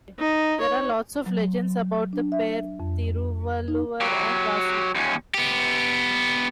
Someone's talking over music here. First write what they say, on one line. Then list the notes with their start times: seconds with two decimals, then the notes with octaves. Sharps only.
There are lots of legends about the pair Thiruvalluvar and Vaasuki.
0.19 D#4
0.60 C#5
1.26 F#3
1.62 F#3
2.13 D4
2.32 E5
2.80 F2
3.68 D#4
4.01 F#3 G4
4.95 D#2 C#4
5.34 B3 G4